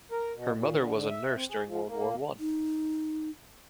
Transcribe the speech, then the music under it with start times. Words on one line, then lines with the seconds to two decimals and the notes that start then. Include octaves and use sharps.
Her mother was a nurse during World War One.
0.11 A#4
0.35 B2
0.56 A#2
0.76 D3
0.93 D3
1.10 E5
1.35 C4
1.50 G#4
1.67 F3
1.89 A#3
2.39 D#4